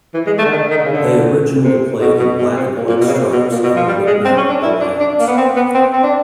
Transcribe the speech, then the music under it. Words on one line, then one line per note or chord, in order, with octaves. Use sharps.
They originally played in black-and-white stripes and were nicknamed "the Lambs".
E3
G#3
A3
D3
D#3
D#3
D3
C#3
D3
C3
B2
B2
B2
C3
A#2
A#2
B2
C#3
C3
B2
A#2
B2
F3
G3
G#3
C4
C#4
D4
E4
D4
D4
A#3
B3
C4
B3
C4
C4
D4